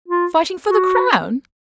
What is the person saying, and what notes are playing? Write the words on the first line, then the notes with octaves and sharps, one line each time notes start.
'Fighting for the crown?'
F4
F#4